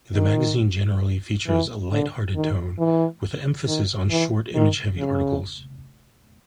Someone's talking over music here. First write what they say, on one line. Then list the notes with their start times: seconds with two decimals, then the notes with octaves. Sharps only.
The magazine generally features a light-hearted tone, with an emphasis on short, image-heavy articles.
0.15 D#3
1.48 E3
1.91 D3
2.35 D#3
2.79 E3
3.67 D#3
4.10 E3
4.54 D#3
4.98 C#3